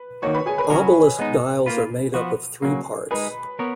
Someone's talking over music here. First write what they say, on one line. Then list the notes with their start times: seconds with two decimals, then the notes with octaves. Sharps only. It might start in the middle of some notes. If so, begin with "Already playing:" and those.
Obelisk dials are made up of three parts.
Already playing: B4
0.22 D#3 A#3 D#4 F#4 C#5 C#6
0.34 B4 B5
0.46 G#4 G#5
0.58 B4 B5
0.70 C#3 F#3 C#4 F#4 A#4
1.19 G#3 B3 D#4
1.66 A#3 F4 B4
2.14 F3 B3 F#4
2.62 C#3 F#3 A#3
3.11 G#3 D#4 G#4 B4 B5
3.59 B3 A#4 C#5